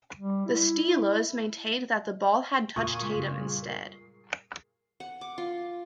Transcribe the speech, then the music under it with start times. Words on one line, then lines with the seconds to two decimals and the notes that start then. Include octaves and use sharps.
The Steelers maintained that the ball had touched Tatum instead.
0.19 G3
0.46 E4
2.76 A#2 A#5 C#6 D#6 G#6 D#7
3.02 C#3 G#3 B6
3.15 F#2 C#3
3.36 G3 G#4
3.62 A#4 C7
5.00 F#5
5.21 D6
5.38 F4